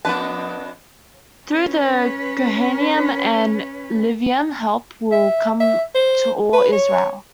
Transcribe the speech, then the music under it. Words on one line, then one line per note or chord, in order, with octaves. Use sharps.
Through the Kohanim and Levi'im help will come to all Israel.
F2 B3 D4 B4 A5
C#4 B4
E5
E5
C5
B4
C#5